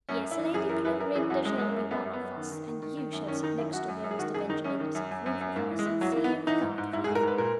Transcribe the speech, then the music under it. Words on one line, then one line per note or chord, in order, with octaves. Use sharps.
Yes, Lady Clarinda shall be one of us; and you shall sit next to her, Mr. Benjamin, as a proof of my sincere regard for you.
F#2 C#4
F#2
E4
E3
F#2 G#4
E3 A#4
F#2 B4
F#2 A#4
E3 G#4
F#2 F#4
F#2 G#3
F#2 G#3
A#3
F#2
F#2 B3
F#2
B3
F#2
D#3
D#3
D#3
D#3
D#3
F#2
D#3 C#4
D#3 D#4
F#2 E4
F#2 F#4
F#2
F#2
G#4
D#3 F#4
F#2 G#4
D#3 D#4
F#2 C#4
D#3
F#2
F#2
F#2
F#2
G#2 A#3
E3
G#3
E3
E3 F#3
A#3
E3
B3
E3
E3 D#4
G#2
G#2
G#2 E4
G#4
G#2
A#4
G#2 B4
A#2 A#4